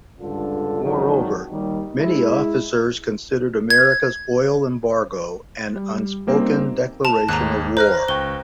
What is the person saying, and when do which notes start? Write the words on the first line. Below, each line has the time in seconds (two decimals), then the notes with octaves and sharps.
Moreover, many officers considered America's oil embargo an unspoken declaration of war.
0.19 C#2 G2 D3 F4 A4
0.83 F2 G#2 D3 D#3 F#3
1.51 D#2 D#3 G3
1.96 G#3 E4
3.70 G#6
5.76 G3
6.27 G3 A#3 C4 C#4 D#4 A#4
7.05 A5 E7 F7
7.29 D#2 G#2 A#5 F#6
7.77 C5 A#5 F6 F#6 A#6
8.08 C#2 G5 C#6 G7